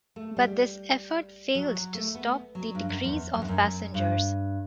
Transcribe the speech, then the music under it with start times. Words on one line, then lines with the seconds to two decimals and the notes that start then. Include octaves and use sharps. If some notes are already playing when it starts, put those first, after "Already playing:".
But this effort failed to stop the decrease of passengers.
0.16 A3
0.37 G3
1.55 F#3
1.75 F#3
1.94 A3
2.15 B3
2.55 F#3
2.75 G2
2.89 F#2
3.04 E2
3.34 F#2
3.42 E2
3.48 F#2
3.94 G2